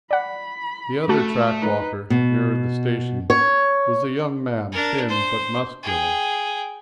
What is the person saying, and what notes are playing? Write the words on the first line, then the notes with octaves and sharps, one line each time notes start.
The other track-walker, nearer the station, was a young man, thin, but muscular.
D5 F#5 B5
A3 F#4 A5 F#6
D#4 B4
B2
C#5
D4 A#4
C5
G#4 G5